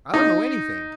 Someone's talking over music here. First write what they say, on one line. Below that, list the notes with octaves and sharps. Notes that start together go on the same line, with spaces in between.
I don't know anything.
D#4